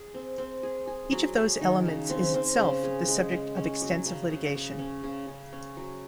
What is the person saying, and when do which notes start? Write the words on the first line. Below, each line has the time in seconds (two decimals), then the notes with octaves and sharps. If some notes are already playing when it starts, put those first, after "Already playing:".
Each of those elements is itself the subject of extensive litigation.
Already playing: G#4
0.14 C4
0.38 C4
0.63 G#4
0.87 G#4
1.12 F#3
1.36 G#4
1.61 D#3
1.85 C#3
2.10 C4
2.34 C4
2.59 C#3
2.83 G#4
3.08 G#3
3.32 G#3
3.57 C#4
3.82 F#3
4.06 C#3
4.30 C#3
4.55 C#3
4.79 C#4
5.04 C#3
5.28 C#3
5.53 C#4
5.77 F#3